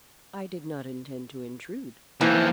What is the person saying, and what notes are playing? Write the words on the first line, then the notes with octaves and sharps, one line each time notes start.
"I did not intend to intrude."
D#2 E3 F3